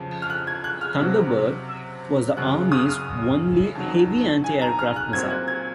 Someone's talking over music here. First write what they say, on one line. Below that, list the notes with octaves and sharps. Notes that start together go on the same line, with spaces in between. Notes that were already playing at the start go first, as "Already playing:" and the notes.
Thunderbird was the Army's only heavy anti-aircraft missile.
Already playing: F2 C#3 F3
F6
F#6
G#6
F#6
F6
C3 F#3 C4
F#2 C#3 F#3 F#6
D#6
F6
F2 D#3 F#3
G#5
A#5
F6
F#6
A#2 F#3 C4 G#6
F#6
G#6